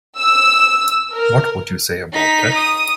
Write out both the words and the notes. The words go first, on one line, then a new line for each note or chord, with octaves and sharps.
What would you say about that?
E6
A#4
D#4 B6
D#6